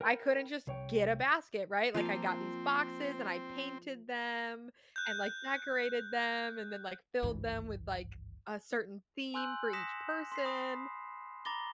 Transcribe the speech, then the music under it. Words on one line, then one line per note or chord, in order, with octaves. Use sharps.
I couldn't just get a basket, right? Like, I got these boxes, and I painted them, and, like, decorated them, and then, like, filled them with, like, a certain theme for each person.
A#4 G5 G#5 B5
C2 C#5 G5
F3 A#3 C4 F5
F#6 G6
G#1 C#2 G2 E3
G#5 C6 E6 F#6 G6 F#7
D#6 A#6 B6 C#7 E7
C6 B6 C7
B5 D#6
A#5 B5 D6 A6 A#6 G7